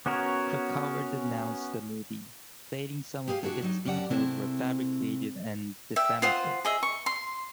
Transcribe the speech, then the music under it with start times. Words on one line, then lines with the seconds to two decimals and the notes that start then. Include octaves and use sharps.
Krakauer denounced the movie, stating some of its details were fabricated and defamatory.
0.06 B3 C#4 F#4 A#4 C#5
3.28 G4 G#4 B4 F5 G#5
3.43 D4 E4 F#4 G#4 A4
3.62 F#3 D#4
3.85 F#2 C#4 G4 D5 F#5 A5
4.10 C3 G#3 A3 C4 E4
5.96 E5 G5
6.22 F4 C5 F#5 D#6
6.65 G#4 D#5 E5
6.83 C#6
7.06 C6